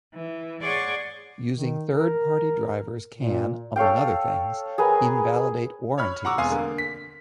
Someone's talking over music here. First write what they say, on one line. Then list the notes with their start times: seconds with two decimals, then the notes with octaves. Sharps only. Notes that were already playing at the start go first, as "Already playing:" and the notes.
Using third party drivers can, among other things, invalidate warranties.
0.14 E3
0.61 G#4 C#5 D5 F#5 C6 C#6
1.55 D#3
1.96 A#4
3.16 A#2
3.76 A4 C#5 F5 G5
4.78 G#4 A#4 B4 G#5
5.98 C#5 B5 F6
6.25 F#5 A#5 C#6 D6 E6
6.38 E1 F5 G#5 C6 D#6
6.50 D3 A#3
6.78 B6